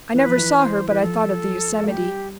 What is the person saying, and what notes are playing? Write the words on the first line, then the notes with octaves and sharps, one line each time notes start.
I never saw her but I thought of the Yosemite.
E3 B4
F3
E3
C5
E3 B4
F3 A4
A3
G3 G4